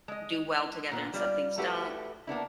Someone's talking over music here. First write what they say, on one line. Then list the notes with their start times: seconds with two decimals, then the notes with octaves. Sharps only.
do well together and some things don't.
0.08 G#3 D#5
0.92 A#2 B3
1.14 G3 F4 D5
1.58 A3 E4 F#4 G4 B4
2.27 A#3 B3 D4 E4